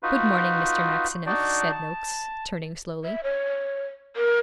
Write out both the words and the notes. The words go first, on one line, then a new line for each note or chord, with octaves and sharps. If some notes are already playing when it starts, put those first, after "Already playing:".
'Good morning, Mr. Maxineff,' said Noakes, turning slowly.
D#4 F4 F#4 B4
D4 D#4 F#4 D5
A5
E5
C#5
A#4